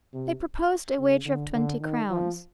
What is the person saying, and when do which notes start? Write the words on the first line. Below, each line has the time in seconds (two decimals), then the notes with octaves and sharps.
They proposed a wager of twenty crowns.
0.14 C3
0.98 C#3
1.25 D3
1.53 D3
1.81 D#3
2.09 F3